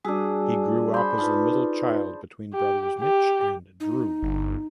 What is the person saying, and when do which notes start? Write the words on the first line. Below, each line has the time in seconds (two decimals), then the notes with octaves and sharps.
He grew up as the middle child between brothers Mitch and Drew.
0.05 G3 D4 F#4 G#4 E6
0.94 C5 B5
1.18 D#4 F4 B4 A5
2.54 G4
3.00 G4
3.80 D#4
4.22 G1